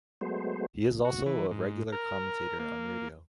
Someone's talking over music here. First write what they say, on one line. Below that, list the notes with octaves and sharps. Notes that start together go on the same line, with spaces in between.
He is also a regular commentator on radio.
F#3 G#3 A3 B3 C5
F#4
E3
G#2
A#4
A#3